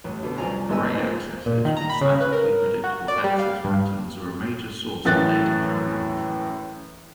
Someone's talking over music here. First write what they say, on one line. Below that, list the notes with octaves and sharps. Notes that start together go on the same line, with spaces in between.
Array accesses with statically predictable access patterns are a major source of data parallelism.
A1
B2 D3 B3
C2 F3 D5 G#5 A#5
G#1 D2 B3 D#5 G#5 E6
F3 G#3 A#3
A#2
D#3
A#5
B5
C#3
B4
A#4
F#4
D5
G3
F5
G2
F#2 A2 E3 F#6 A6